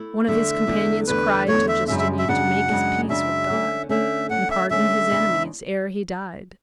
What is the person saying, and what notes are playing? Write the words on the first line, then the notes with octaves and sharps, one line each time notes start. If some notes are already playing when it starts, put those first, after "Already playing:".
One of his companions cried to Justinian to make his peace with God, and pardon his enemies ere he died.
Already playing: A3 E4
E2 D3 A3 E5
E2 D3 A3
E2 D3 A3 B4
E2 D3 A3 C#5
E5
F#2 C#3 G#3 D4 E5
E5
E5
F#2 C#3 G#3 D4 F#5
F#2 C#3 G#3 D4
F#2 C#3 G#3 D4 E5
D3 A3 C#4
D3 A3 C#4 E5
D3 A3 C#4 F#5
E5
D3 A3 C#4 E5
E2 C#3 G#3 D4